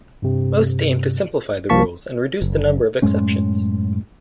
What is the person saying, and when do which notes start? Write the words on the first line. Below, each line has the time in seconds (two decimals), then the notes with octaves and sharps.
Most aim to simplify the rules and reduce the number of exceptions.
0.22 G2 C3
1.69 C2 F3 A#3 A5 C#6 B6
2.42 F#1
3.02 F#2 A2 G#3 C#4